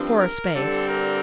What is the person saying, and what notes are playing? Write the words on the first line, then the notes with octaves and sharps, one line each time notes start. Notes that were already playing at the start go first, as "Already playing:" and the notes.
For a space.
Already playing: G2 F3 C4
A#4
G2 D3 G3 C4 A4
A#4